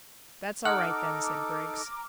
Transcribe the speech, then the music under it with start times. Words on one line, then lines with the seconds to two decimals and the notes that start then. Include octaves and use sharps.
"That's all right, then," said Griggs.
0.65 D#4 A4 F#5 A#5 D6 F6